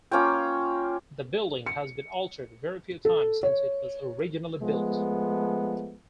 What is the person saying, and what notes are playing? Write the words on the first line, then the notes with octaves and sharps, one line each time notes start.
The building has been altered very few times since it was originally built.
A#3 C#4 F4 G5
C#7
A4
C#5
F3 G#3 A3 B3